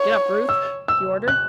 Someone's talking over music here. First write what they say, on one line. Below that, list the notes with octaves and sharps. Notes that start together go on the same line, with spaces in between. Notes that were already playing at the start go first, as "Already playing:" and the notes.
"Get up, Ruth," he ordered.
Already playing: C#5
E6
E6
F#6